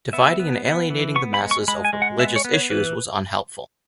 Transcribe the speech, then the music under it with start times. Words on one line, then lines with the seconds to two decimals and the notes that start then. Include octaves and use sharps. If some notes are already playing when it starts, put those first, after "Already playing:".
Dividing and alienating the masses over religious issues was unhelpful.
0.13 B3 E5
0.40 B3
0.65 B3
0.90 E3
1.16 B3 C#6
1.34 B5
1.42 G#3
1.51 C#6
1.68 G#3 B5
1.85 G#5
1.93 G#3
2.02 F#5
2.19 B3 E5
2.36 C#5
2.45 B3
2.54 C#5
2.70 E3 B4